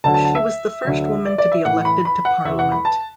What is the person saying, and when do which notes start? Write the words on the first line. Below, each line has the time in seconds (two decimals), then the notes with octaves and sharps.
She was the first woman to be elected to parliament.
0.04 D2 D3 F#3 A5
0.14 A5
0.25 A5
0.35 E5
0.85 D2 D3 F#3
1.25 D5
1.38 D5
1.52 E5
1.65 A2 E3 F#5
1.85 B5
2.05 B5
2.25 F#5
2.45 E2 E3 E5
2.59 F#5
2.72 B5
2.85 A5